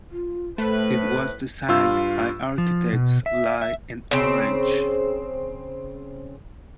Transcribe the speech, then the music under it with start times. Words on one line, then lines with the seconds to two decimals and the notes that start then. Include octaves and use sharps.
It was designed by architects Leigh and Orange.
0.12 F4
0.58 A2 A3 B4 C5
1.69 G2 F4 E6
2.58 F3
2.93 B2
3.26 E5
3.62 E5
4.11 C#3 C4